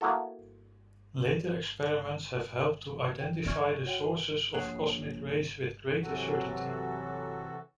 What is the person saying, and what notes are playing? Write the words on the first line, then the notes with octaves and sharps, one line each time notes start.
Later experiments have helped to identify the sources of cosmic rays with greater certainty.
A#3 B3 E4 F#4 A4
G5
D5 E5 G#5 C#6 F6 G#6
F#4 C#5 F#5 G5 D#7
A#1 G#4 C#5 F#5
C3 E3 F#3 F#4 A4